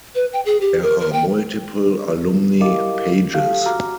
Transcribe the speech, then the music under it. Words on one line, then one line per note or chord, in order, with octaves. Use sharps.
There are multiple alumni pages.
B4
G5
G#4
G4
A#4
A#4
G5
E4 G4 A#4 D#5 F5 D6
G4 A4 F5
F#4 A#5 D6 F6